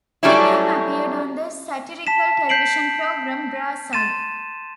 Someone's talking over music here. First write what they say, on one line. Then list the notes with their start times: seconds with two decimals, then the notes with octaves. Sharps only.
Ingham appeared on the satirical television programme, "Brass Eye".
0.23 F#3 G3 A3 C#4 D4 E4
2.07 A5 B6 E7
2.49 G6 B6 C7 D7 F#7
3.93 C6 A6 D#7 E7